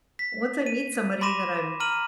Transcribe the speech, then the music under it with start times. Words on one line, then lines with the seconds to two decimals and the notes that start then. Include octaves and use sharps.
once I meet somebody, then I'm
0.19 B6
0.66 D#7
1.21 B5 C6 D6 A#6 D#7 E7
1.80 A#5 F6 D#7 F#7